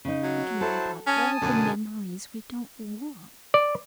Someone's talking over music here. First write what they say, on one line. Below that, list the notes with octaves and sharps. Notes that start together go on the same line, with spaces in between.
We can wipe out all the memories we don't want.
C#3 D#4
F#3
E4 A4 C5 A5
C#4 G#5 A5 D#6
F#2 B2 D3
D5